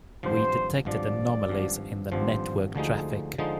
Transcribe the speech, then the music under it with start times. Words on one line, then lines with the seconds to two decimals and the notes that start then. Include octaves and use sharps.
We detected anomalies in the network traffic.
0.23 G#1 G2 F3 C5
0.85 G#1 G2 F3 D5
1.48 G#1 G2 F3
2.12 G#1 G2 F3 C5
2.75 D2 D3 F3 G#3 D#4
3.38 D3 F3 G#3 D#4